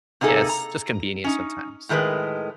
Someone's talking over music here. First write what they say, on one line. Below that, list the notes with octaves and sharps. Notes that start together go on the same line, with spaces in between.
yeah, it's just convenient sometimes.
C3 A#3 D#4 G#4 A4
A#5
C#4 D#4
A2 D#3 G#3 A#4 B4